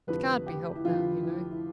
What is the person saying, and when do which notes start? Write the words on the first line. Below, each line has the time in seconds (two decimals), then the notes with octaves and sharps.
It can't be helped now, you know.
0.07 F1 F2 D3 F3 B4
0.46 G4
0.75 E4
0.85 F1 F2 D3 F3 F4
1.23 E4
1.51 E4